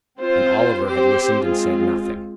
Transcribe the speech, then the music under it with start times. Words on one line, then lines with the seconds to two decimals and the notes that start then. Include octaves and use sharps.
And Oliver had listened and said nothing.
0.20 C4 F4 C5
0.82 C4 G4 C5
1.44 G#3 C4 F4 G#4